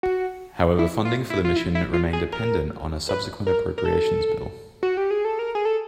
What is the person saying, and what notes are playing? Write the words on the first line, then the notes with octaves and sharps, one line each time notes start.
However funding for the mission remained dependent on a subsequent appropriations bill.
F#4
E4
F4
E4
F4
E4
E4
F4
G#4
A#4
B4
A#4
A#4
A4
F#4
G4
G#4
A4
A#4
G#4
A4